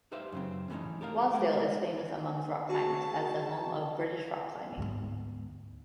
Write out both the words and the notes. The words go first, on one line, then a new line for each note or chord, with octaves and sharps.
Wasdale is famous amongst rock climbers as the home of British rock climbing.
D#4 G4 B4 C5 E5 F5
F#2 C#3 C4
E3 G3 A3 C4 C#4 D#4
G4 A4 A#4 D5 F5
G3 A3
G3 G#3 A#4 D5
F#4 G#4 A5 C#6
D2 G#2 B3